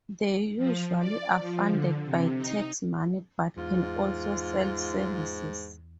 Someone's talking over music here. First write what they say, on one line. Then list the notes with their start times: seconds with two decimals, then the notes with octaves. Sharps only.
They usually are funded by tax money but can also sell services.
0.57 F3
0.99 D5
1.40 F3
1.70 D3
2.05 C3
2.38 D#4
3.57 E2 G#2 F4